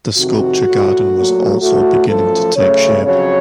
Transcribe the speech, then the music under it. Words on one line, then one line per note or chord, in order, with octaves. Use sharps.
The sculpture garden was also beginning to take shape.
F2 C3 D#3 F#4
A2 A3
A#2 F#3 A3
A2 A3 F#4
F#2 F3 A3 A4
F#2 C#3 A3 C#5
F2 C#3 F#3 C#5